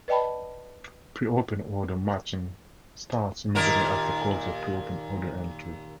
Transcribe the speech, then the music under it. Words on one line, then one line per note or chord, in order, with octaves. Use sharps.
Pre-open order matching starts immediately after close of pre-open order entry.
B4 D5 D#5 G5 A5 B5
D#2 A#2 A#4